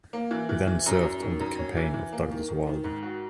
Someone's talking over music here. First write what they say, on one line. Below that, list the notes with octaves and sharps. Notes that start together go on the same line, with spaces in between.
He then served on the campaign of Douglas Wilder.
A#3
E3
E3
E3
F#2
F#2
D#3
F#2
C#4
E3
E3
A#3
D#3
D#3
D#3
G#2
F#4